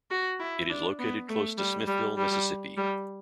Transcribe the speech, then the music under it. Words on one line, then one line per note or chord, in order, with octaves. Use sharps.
It is located close to Smithville, Mississippi.
F#4
E4
D4
B3
A3
G3
G3
G3
G3